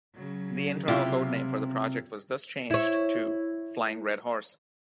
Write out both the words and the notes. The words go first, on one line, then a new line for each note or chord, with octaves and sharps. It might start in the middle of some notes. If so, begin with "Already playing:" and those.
The internal codename for the project was thus changed to "Flying Red Horse".
C#3 F#3
C3 E4 F4 G4
E4 C#5